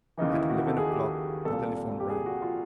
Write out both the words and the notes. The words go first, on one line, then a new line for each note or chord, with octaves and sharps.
At eleven o'clock the telephone rang.
D#2 C#3 E3 D#4
E4
F#4
A4
G#4
G4
G#4
C2 A4
A#2
G4
G#4
F#4
F4